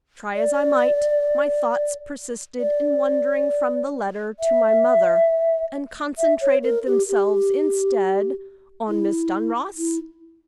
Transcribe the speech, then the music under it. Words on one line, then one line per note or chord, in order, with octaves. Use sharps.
Try as I might, my thoughts persisted in wandering from the letter to my mother, and concentrated themselves instead--on Miss Dunross?
D5
D5
E5
E5
C#5
A#4
G4
G4
E4
E4